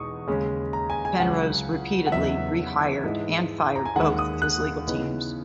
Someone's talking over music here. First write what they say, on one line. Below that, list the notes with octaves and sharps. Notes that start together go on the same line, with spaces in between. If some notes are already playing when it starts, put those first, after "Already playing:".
Penrose repeatedly rehired and fired both of his legal teams.
Already playing: E2 B2 G#3 D#4 C#6 D#6
D#2 C#3 G#3 C#4
A#5
G#5
G#5
C#2 C#3 F#3 C#4 F#5
F#5
E2 C#3 F#3 B3 D#4 E5
G#2 E3 G#3 D#4
A#5
G#5
D#2 D#3 G#3 F#5
D#6
F#6
C#3 E3 B3 D#4